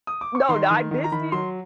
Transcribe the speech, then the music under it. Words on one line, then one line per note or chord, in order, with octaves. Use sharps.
No, now I did see it
D#6
D6
C#6
D#3 C6
D#3
D#3
A#5
D#3 B5
F#3 C6